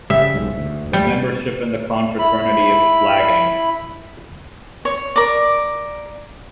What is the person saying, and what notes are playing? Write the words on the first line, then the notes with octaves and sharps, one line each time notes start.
The membership in the confraternity is flagging.
F#1 C#3 G3 E5
B1 G#2
D2
G3
E4 B5
C#5
A#4 D5